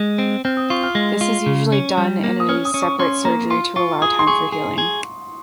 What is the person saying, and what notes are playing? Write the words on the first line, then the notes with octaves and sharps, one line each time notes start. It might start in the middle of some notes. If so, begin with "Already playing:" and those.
This is usually done in a separate surgery to allow time for healing.
Already playing: G#3
C4
C4 F6
D#6
F4 C#6
F6
G#3
F4
C#3
C#4
G3
A#3
D#6
C#4 F6
D#6
C#4
C#6
C#4 C6
A#3 A#5
F4 C6
F4 C#6
G#4 D#6
C6
G#4 C#6
G#4
G#4